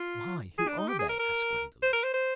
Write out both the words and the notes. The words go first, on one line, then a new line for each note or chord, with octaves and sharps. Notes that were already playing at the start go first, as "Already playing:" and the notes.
"Why, who are they?" asked Gwendolen.
Already playing: F4
G#4
D4
D#4
G4
G#4
A#4
A#4
C5
A#4
C5
C5